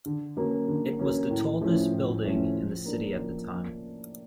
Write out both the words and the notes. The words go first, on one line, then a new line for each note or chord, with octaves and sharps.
It was the tallest building in the city at that time.
D3
F#3 A#3 C#4
D3
F#3 A#3 C#4
A2
F3 A3 C#4 E4
A2
F3 A3 C#4 E4
F3
A#3 D4
F3